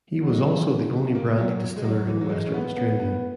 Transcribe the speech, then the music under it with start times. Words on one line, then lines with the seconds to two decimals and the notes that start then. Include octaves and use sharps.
He was also the only brandy distiller in Western Australia.
0.22 F#3
0.30 G#3
0.38 F#3
1.15 A#3
1.38 F#3
1.77 G#3
1.84 F#3
2.07 E3
2.21 F#3
2.30 G#3
2.46 C#4
2.54 B3
2.76 B3
3.00 B3